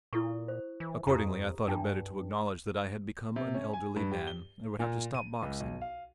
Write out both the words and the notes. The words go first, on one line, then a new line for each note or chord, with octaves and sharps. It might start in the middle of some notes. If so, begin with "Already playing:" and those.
Accordingly I thought it better to acknowledge that I had become an elderly man and would have to stop boxing.
A#2 E4 A4 C#6
C5
E3
F2 G4 A4 A#5
G2 D4 G5 A5
C3
C#4
G#5
G2
G4
G7
A#2
D#7
C#2
B1
F5